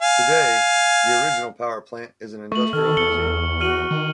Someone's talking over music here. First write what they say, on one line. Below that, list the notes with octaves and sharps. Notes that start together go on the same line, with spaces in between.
Today, the original power plant is an industrial museum.
F5 G#5
A3 C#6 F#7
D#3 A4 F6
E2 C#7 G7
F#4 F6 D#7 F#7
D#3